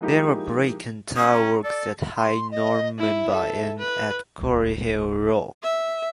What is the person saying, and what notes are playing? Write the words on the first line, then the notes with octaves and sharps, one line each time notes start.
There were brick and tile-works at High Normanby and at Quarry Hill, Raw.
F3 G#3 A#3 D#4 E4 G4
C#4 D#6
A#5
A4 D5
C6
D#5
E4 E5
A4
B4
D#1 C#2
E5